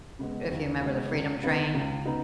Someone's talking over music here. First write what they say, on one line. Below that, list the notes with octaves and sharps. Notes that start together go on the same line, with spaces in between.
if you 'member the Freedom Train-
C#3 G#3 B3
D#2
C#3 G#3 B3
C#2
C#3 B3 D#4 B4
C#2
C#3 B3 D#4 B4